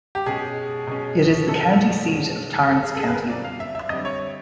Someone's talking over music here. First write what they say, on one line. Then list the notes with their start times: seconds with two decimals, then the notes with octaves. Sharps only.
It is the county seat of Torrance County.
0.15 G4
0.26 B2 G#3 C#4 G#4
0.87 B2 G#3 C#4
1.48 B2 G#3 C#4 A4
1.61 A#4
1.73 A4
2.08 B2 G#3 C#4
2.69 D3 G3 C4 A4
2.85 G#4
2.95 A4
2.99 G#4
3.08 B4
3.14 A#4
3.29 D3 G3 C4 D5
3.44 F5
3.60 E5
3.75 E5
3.90 D3 G3 C4 D#5
4.05 C#5